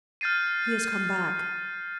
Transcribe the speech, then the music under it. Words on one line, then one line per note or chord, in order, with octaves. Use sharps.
"He has come back."
F6 G6 A6 C7 D#7